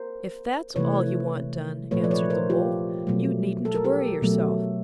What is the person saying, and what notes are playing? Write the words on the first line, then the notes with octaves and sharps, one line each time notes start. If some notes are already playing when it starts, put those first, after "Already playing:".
'If that's all you want done,' answered the wolf, 'you needn't worry yourself.
Already playing: A#4 C5
C3 E3 A3 B4 C#5
A#2 F3 A3 B4 C#5
D5
B4 C#5
A#4 C5
F4 G4
B2 F#3 A3
A4
A#4
G4 A4
B2 F#3 A3